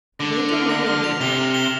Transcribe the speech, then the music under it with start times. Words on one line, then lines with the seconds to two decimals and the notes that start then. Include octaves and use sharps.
Wait a moment, dear.
0.19 D3 A#6
0.36 A#6
0.53 F6
0.70 A#6
0.86 F6
1.04 F7
1.21 C3 G7
1.38 E7
1.54 G7